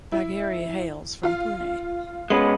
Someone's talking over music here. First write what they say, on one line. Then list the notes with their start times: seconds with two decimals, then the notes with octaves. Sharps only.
Bagheri hails from Pune.
0.12 E4
1.23 F4 F5
2.30 G#3 B3 C#4 F#7